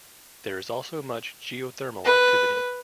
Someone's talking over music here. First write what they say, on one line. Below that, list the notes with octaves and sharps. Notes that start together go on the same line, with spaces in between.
There is also much geothermal activity.
B4